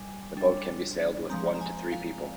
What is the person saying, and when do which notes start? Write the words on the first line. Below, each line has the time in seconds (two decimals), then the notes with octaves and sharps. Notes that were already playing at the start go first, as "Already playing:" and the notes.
The boat can be sailed with one to three people.
Already playing: G3 G#5
0.37 G3 D4
1.29 F3 G#3 C4 A#5
1.55 A#5
1.61 G#5
1.92 F5